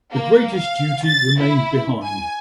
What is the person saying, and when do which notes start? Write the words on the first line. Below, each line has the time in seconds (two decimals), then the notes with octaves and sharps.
The greatest duty remained behind.
0.12 A#3
0.57 F5
1.05 A6
1.39 E4
2.04 G#5